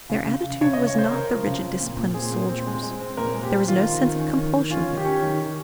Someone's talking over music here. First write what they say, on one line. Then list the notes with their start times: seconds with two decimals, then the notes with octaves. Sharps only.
Their attitude was not the rigid discipline of soldiers; there was no sense of compulsion about them.
0.10 C#3
0.26 C#3
0.44 C#3
0.61 C#3 C#5
0.73 D#5
0.78 C#3
0.87 C#5
0.95 C#3 C5
1.11 C#3 A#4
1.30 F3
1.47 C#3
1.63 C4
1.81 A#2
1.97 A#2
2.14 C4 G#4
2.32 A#2
2.49 C4
2.66 G#3
2.83 G#3
3.00 C4
3.17 A#2 A#4
3.34 G#3
3.43 G4
3.51 C4
3.68 D#3 F4
3.86 D#3
4.02 D#3
4.20 C#4
4.37 D#3
4.54 D#3
4.71 C#4 F4
4.88 D#3
4.97 G4
5.05 C#4
5.22 D#3
5.40 D#3